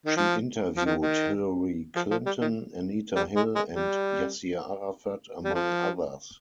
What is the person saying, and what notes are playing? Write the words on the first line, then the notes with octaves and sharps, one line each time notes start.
She interviewed Hillary Clinton, Anita Hill and Yasser Arafat, among others.
D#3
F3
F3
D#3
D#3
F3
F3
G3
D#3
G3
G#3
G#3
G3
G3
F3